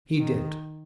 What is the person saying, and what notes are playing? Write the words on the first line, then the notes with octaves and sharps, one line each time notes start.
"He did."
D#3